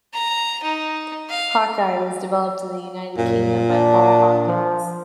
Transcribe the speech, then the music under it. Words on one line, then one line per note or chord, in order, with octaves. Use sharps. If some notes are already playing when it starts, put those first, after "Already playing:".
Hawk-Eye was developed in the United Kingdom by Paul Hawkins.
A#5
D#4
F5
F#2 A#2
D4
F3